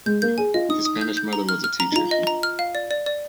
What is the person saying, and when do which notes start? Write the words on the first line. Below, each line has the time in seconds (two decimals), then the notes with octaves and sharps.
His Spanish mother was a teacher.
0.06 G#3 G6
0.22 A#3 G6
0.38 G#4 G#5
0.54 F4 D#5
0.69 D#4 D#6
0.85 D#6
1.01 G6
1.17 G6
1.33 A#5
1.49 F6
1.64 F6
1.80 A#5
1.92 D#4
1.96 F4 A#5
2.11 D#5
2.27 A#5
2.43 F6
2.59 F5
2.75 D5
2.91 D5
3.06 D5